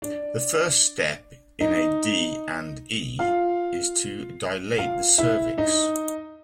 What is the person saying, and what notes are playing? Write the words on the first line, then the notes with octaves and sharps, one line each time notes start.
The first step in a D and E is to dilate the cervix.
D4 D5
D#4 D#5
F4 F5
F4 F5
E4 E5
D#4 D#5